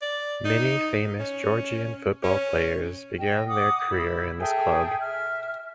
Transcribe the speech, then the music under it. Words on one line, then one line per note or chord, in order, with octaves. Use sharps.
Many famous Georgian football players began their career in this club.
D5
D#4
C#4
C#4
D#5 G5
F#5 D6 D#6
E4 B5
G#4 A4 E5 G5
E5 F6